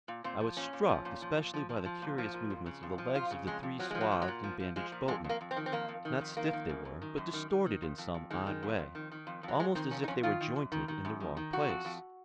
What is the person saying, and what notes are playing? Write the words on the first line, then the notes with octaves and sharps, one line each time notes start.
I was struck especially by the curious movements of the legs of the three swathed and bandaged boatmen,--not stiff they were, but distorted in some odd way, almost as if they were jointed in the wrong place.
A#2
A#2 C4
F3
A#2 C#4
A#2
F3
A#2
F3
A#2
F3
F3
F3
A#2
F3
A#2
F2
C#3
F2
F3
F2 F4
C#3
F2 G#3
F2
F3 F#3
F3 G#3
F#3
A#2
F#3
A#2
F3
F3
F3 G#3
A#2
F2 G#3
F2
A#3
F2
C4
D#3
C4
F2 A#3
F2
D#3
F2
D#3 A#3
D#3
F#2
F#2
D#3
F#2
D#3
D#3
D#3
F2
F2
F2
D#3 G#3
D#3
F2
F2
D#3
D#3
F2
F2
F#3
F2 G#3
D#3 C4
F2 C#4
D#4
F2 C#4
D#3 F4
D#3
F#2
D#3
D#3
F#2
D#3
D#3
F2 F#4
F2
F2